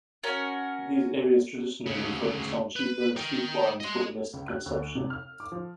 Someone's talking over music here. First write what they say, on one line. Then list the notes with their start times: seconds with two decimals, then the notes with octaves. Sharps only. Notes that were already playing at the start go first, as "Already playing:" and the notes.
These areas traditionally focused on cheaper, sweet wines for domestic consumption.
0.23 C#4 F#4 A#4
1.86 D2 C#3
2.76 B4
3.16 A#4 G5
3.80 D#5 C6
4.33 C#2
4.48 F#6
4.66 D2
4.95 C3
5.10 F6
5.40 D6
5.52 F3